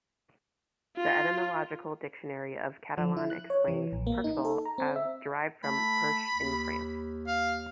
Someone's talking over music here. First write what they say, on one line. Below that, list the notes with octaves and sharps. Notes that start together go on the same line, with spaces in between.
The etymological dictionary of Catalan explains "perxal" as "derived from Perche in France".
F4
F3
E4
F#6
C#5
E3
A#1
A#3
D#4
A4
A#5
C4
E5
A3 B5
D#2
F5